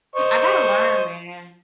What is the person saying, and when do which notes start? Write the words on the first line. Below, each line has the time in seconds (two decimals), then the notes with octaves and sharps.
I gotta learn, man.
0.15 C5 D#5 C#6